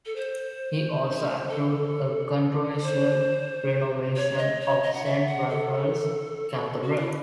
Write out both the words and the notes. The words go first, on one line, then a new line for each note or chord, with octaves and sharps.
He also approved a controversial renovation of Saint Raphael's Cathedral.
A4
C5
A4
C5
C#5
D#5
C#5
D#5
F#5
E5
F#5
A4
F#4
E4